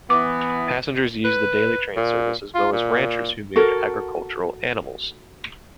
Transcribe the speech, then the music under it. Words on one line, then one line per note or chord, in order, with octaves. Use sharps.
Passengers used the daily train service, as well as ranchers who moved agricultural animals.
E3 B3 D6
B4
A#2
F4
A#2
F#4 A4 A#4